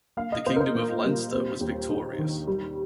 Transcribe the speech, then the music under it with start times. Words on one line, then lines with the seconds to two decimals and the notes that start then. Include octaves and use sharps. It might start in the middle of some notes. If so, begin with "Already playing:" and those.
The Kingdom of Leinster was victorious.
0.17 A#3 F5
0.32 D#5
0.46 A#2 C5
0.56 A#4
0.60 C5
0.75 A#2
1.04 G3
1.32 C4
1.61 D#2
1.90 D#4
2.19 D#3
2.47 G3